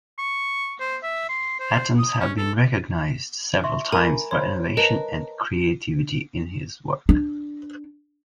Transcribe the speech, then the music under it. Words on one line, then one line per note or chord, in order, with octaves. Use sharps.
Atoms has been recognized several times for innovation and creativity in his work.
C#6
C5
E5
C6
C5
D#6
C#4
A4
E5 C6 C#6
A#4 G#5 B5
C5 C#5 B5 C6
A#4 B4 D#5 A5
D4